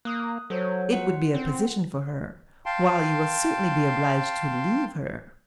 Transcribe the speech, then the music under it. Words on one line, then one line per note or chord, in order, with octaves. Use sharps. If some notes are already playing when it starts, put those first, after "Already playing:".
It would be a position for her, while you will certainly be obliged to leave her.
A#3 D#6 F#6
F#3 A4 C5 C#5
F4 F#5
C4
F5 G5 A5 C6